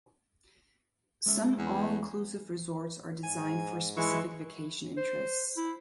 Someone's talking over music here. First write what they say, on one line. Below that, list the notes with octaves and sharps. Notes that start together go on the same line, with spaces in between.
Some all-inclusive resorts are designed for specific vacation interests.
G#3 C#4 E5
E2
G#2 G#5
E3 G#3 E4 C#6
C5
E4